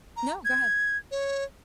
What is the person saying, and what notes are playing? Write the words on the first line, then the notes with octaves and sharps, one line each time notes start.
No. Go ahead.
A#5
G#6
C#5